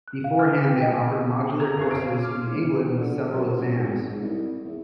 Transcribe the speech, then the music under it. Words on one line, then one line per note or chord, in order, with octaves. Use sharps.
Beforehand, they offered modular courses in England with several exams.
F#6
F5
F6
G5
D#5
A#5 G#6
F#1 F5 C#6
C#4 D7
C6 D6 F6
D3
F#2
F#3
G#1
G#2
C2
E2